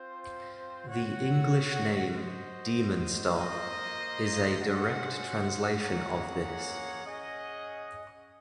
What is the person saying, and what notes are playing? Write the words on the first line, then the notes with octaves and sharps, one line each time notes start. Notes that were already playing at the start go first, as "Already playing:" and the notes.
The English name "Demon Star" is a direct translation of this.
Already playing: C4 F4 C5
F#4 C#5 F#5
F#4 C5 D#5
A#3 F4 C5 D#5
G#3 C#4 F#4 C5 F#5
A#3 C#4 G#4 C#5 F#5
C#4 G#4 D#5 F#5